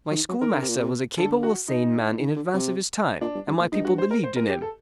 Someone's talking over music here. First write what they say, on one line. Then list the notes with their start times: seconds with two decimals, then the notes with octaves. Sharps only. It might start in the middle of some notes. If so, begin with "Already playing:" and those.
My schoolmaster was a capable sane man in advance of his times and my people believed in him.
0.11 F#3
0.15 D#3
0.29 F#3
0.41 D#3 A#4
0.53 D3
0.62 C3
0.69 A#2
0.77 C3
1.18 D3 A4
1.43 F#4
1.68 D#4
2.19 D#3
2.36 D3
2.54 C3
3.21 A#2 D4
3.35 G2
3.47 G2
3.60 A#2
3.72 G2 D#4
3.85 F#4
3.98 C5
4.11 A#4
4.23 C5
4.36 A#4
4.49 G4
4.62 A4